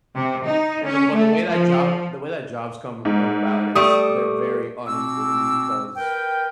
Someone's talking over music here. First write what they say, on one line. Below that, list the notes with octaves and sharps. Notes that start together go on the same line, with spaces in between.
and the but the way that job the way that jobs come come about, it's they're very unequal to me because
C3
D#4
C#4
A3
F3
G#2
G3 A3 D#6
B2 C4 D6 E6
A#4 B4 G5